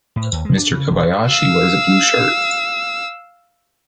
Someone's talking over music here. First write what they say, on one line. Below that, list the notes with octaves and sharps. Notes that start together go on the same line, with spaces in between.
Mr. Kobayashi wears a blue shirt.
A2
D#2
G#3
D4
C#3
E1
F5 E6